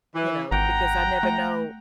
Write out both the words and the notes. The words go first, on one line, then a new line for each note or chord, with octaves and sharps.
you know, because I never know
E3
G#1 F#5 G5 A#5
A3